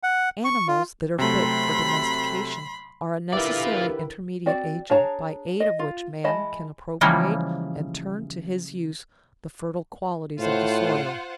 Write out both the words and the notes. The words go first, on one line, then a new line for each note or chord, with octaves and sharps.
Animals that are fit for domestication are a necessary intermediate agent by aid of which man can appropriate and turn to his use the fertile qualities of the soil.
F#5
C#6
F4
C3 F#3 A3 B5 C6
D3 E3 E4 F4 G4 A#4 B4 D5
C4 F#4 D5
D4 G#4 C#5 A5 A#5
D#5
F4
E3 G#3 D#5 A5 B5
C#3 E3 F3 G3 G#3 A#3
A2 F4 C5 F#5